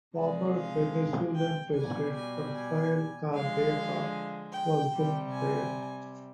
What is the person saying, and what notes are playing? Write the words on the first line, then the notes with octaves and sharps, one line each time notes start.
Former Venezuelan President Rafael Caldera was born there.
C3 F3 G#3 D5
F5
G5
B2 G3 G#5
G#5
G#5
D3 F3 G#3 F5
G5
C3 G3
G#5